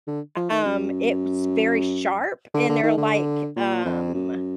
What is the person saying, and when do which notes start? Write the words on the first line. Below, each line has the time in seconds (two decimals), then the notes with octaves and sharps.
um, it was very sharp, and they're, like, um
0.07 D3
0.37 F3
0.51 D#3
0.66 F#2
2.54 D3
2.69 D3
2.83 D#3
2.98 D3
3.56 A#2
3.85 F2
4.14 F#2